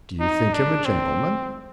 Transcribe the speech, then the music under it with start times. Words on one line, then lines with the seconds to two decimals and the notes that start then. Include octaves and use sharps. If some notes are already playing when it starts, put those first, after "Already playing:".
"Do you think him a gentleman?"
0.20 D#4
0.53 D4
0.85 C4